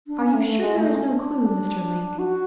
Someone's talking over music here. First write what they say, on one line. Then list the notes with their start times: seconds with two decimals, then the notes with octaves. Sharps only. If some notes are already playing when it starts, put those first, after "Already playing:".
"Are you sure there is no clue, Mr. Link?"
0.07 D4
0.20 C#4
0.34 A3
0.46 A3
0.60 G#3
0.77 A3
0.95 C#4
1.12 D4
2.19 F#4